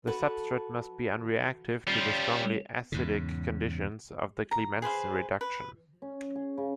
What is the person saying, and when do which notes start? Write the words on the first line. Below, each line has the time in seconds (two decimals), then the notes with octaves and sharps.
The substrate must be unreactive to the strongly acidic conditions of the Clemmensen reduction.
0.07 F#4 A4 B4
1.88 G3 C#4 F4
2.92 E2 G#2 C#3
4.51 A#5
4.82 G#4 B4 C5 F5
5.41 B4
6.02 C#4
6.35 G#4
6.58 C#3